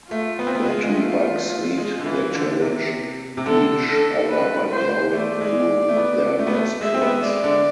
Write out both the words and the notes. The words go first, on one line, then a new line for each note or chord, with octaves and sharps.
When two bucks meet they challenge each other by blowing through their nostrils.
A3 F4
B3
C4
B3
G#3
G#3
A3
G#3
D3
E3
D3
C3
C3
D3 A4
A4
B4
C5
A3 D5
A3
G#3
A3
B3
A3
B3
A3
G#3 E5
C4
B3
G#3 D5
D3